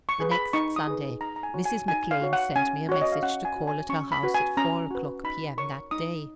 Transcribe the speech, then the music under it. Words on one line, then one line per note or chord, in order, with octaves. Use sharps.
The next Sunday Mrs. McClean sent me a message to call at her house at four o'clock P.M., that day.
C#6
G#4 B4
B5
D#4 C#6
D#6
G#4 B4
D#4 A#5
A#5
G#5
F#4 C#5
G#5
D#4 G#5
F5
F#4 C#5
F#5
C#4 G#5
F#4 C#5
D#5
F5
C#4 F#5
G#5
F#4 C#5
G#5
C#4 C#6
B5
F#4 B4
G#5
C#4 A#5
F#4 B4
D#4 B5
A#4 C#5 C#6
D#4 D#6